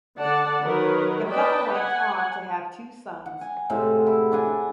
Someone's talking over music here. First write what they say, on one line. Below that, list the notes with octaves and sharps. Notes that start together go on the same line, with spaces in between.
The couple went on to have two sons.
D3 D5 F#5 A5
D#3 F#3 A#4 B4
B4 D5 D#5 G5 A5 B5
F#5 G#5
F#5
G#5
A2 C3 G#3
E4
D4 F#5 G#5